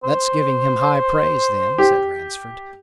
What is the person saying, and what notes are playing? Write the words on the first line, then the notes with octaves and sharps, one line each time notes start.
"That's giving him high praise, then," said Ransford.
C5
G4